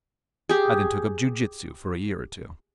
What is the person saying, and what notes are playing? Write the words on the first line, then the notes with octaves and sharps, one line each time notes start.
I then took up jiu-jitsu for a year or two.
G4 G#4